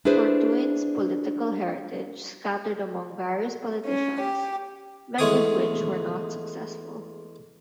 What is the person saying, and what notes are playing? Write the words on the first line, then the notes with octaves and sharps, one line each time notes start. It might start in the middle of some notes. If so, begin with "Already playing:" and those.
Fortuyn's political heritage scattered among various politicians, many of which were not successful.
D4 E4 G#4 B4 C5
C#4
G4
E2 G#3 A3 C#5 G#5 D#6